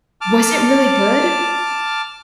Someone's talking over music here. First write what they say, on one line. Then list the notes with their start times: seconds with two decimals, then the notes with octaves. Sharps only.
Was it really good?
0.21 A5 D6 F6